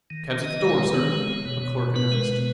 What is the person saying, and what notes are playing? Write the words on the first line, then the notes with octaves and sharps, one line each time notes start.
"Cab's at the door, sir," a clerk announced.
D#3
D#3
D#3 D#5
G#3 B4
C#5
D#3
B4
B3 C#5
G#3
B3
B2
B2
B2
B3 B4
G#3 A#4
B4
B2